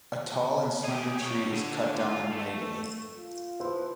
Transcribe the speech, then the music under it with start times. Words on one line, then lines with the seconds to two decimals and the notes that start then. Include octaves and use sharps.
A tall and slender tree is cut down on May Day.
0.85 G4 G#4
1.20 G4 C#5
1.51 D3
1.99 F4
2.32 A3
3.17 F4
3.60 F3 E4 B4 C5